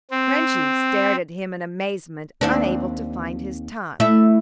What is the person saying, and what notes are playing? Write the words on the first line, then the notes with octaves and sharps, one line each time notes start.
"Frenchy" stared at him in amazement, unable to find his tongue.
C4
D#2 C4 D4
A3 E4